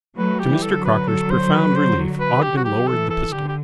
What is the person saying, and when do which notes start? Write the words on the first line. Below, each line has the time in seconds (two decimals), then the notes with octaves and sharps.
To Mr. Crocker's profound relief Ogden lowered the pistol.
0.17 F#3 A3 B4
0.40 G4
0.48 E3 G3
0.63 A4
0.77 D3 F#3
0.85 B4
1.08 A4
1.30 C5
1.53 B4
1.75 C5
2.20 B4
2.42 G4
2.57 F#4
2.65 G4
2.88 E3 A4
3.10 A4
3.33 D3 G4
3.49 G4